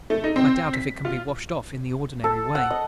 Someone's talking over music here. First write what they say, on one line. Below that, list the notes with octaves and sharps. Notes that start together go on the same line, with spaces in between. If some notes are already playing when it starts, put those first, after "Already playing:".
I doubt if it can be washed off in the ordinary way.
A3
D#4
C4
B6
F4
A4
F#5
D#5